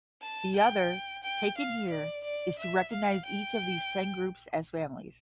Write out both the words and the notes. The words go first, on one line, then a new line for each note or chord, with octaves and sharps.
The other, taken here, is to recognize each of these ten groups as families.
A5
G5
G5
F5
D5
D5
E5
F5
G5